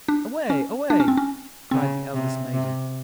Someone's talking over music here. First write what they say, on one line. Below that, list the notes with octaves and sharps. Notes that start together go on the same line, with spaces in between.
"Away! away!" cried the eldest maiden.
D4
C#4
D4
C#4
C4
C#4
C#3 C4
C3
C3